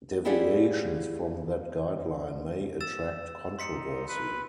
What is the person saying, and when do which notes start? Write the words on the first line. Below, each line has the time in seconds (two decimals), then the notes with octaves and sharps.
Deviations from that guideline may attract controversy.
0.25 E4 F4 G4 G#4 D5 F#5
2.81 E6 A6 E7
3.59 D#4 C6 B6 C#7
4.08 B4